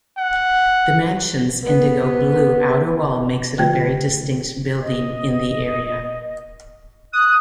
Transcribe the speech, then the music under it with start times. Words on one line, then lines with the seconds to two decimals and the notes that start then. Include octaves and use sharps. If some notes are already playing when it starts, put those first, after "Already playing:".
The mansion's indigo-blue outer wall makes it a very distinct building in the area.
0.17 F#5
1.64 B3
3.58 D3 F3 A3 F4 G5 G#6
4.82 D#5
7.13 D#6 F#6